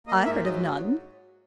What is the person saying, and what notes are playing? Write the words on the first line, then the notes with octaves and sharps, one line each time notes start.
"I heard of none."
A#3 D#5
G#2 E5
F#3 D#5